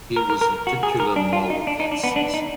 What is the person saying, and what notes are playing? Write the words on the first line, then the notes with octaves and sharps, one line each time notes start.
He was the titular Mol of that season.
A#4
A#4
A#4
F#4
G#4
A#4
D4
F4
D#4
D4
D#4
D4
B3
D4
D#4